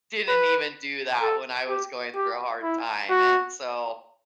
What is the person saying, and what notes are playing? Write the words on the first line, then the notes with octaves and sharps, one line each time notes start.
didn't even do that when I was going through a hard time, and so
B4
A4
G4
G4
E4
F#4